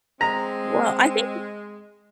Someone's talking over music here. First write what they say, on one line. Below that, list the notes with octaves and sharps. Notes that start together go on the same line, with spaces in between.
Well, I think
G#3 C4 A#5